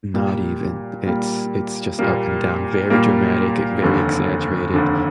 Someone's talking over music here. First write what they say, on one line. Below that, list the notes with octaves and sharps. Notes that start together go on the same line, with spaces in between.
Not even. It's it's just up and down, very dramatic, e very exaggerated.
A#2 G3 A#3
A#2 G3 A#3
A#2 G3 A#3
A#2 G3 A#3
F1 D#2 D3
F1 D#2 D3